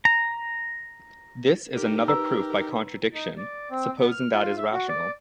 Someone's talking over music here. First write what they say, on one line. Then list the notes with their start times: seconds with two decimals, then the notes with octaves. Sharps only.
This is another proof by contradiction, supposing that is rational.
0.05 A#5
1.76 D#4 G4 A#4
2.08 B4 A#5 E6
3.14 D#4
3.37 D5
3.71 C4
3.99 B3
4.11 F6
4.33 F4
4.58 E5
4.73 F#4
4.88 D5